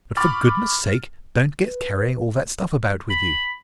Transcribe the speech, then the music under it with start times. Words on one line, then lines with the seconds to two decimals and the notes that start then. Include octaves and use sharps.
But, for goodness sake, don't get carrying all that stuff about with you.
0.17 B5 C#6 D6 F6 A6
1.65 B4
3.10 B5